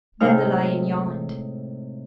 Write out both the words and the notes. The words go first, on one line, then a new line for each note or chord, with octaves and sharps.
Then the lion yawned.
A2 C3 G#3 D#4 F6